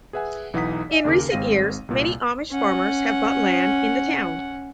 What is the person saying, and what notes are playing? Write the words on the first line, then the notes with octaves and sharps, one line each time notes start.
In recent years many Amish farmers have bought land in the town.
G#4 B4 E5 F#5 G#5
B1 E3 D#4 F#5 D#6 B6
D5 E5 G#5
D#2 C#3 A#4 D6
G#1 G#3 C4 F5 A#6 D#7
C2 A#2
C#4 F#5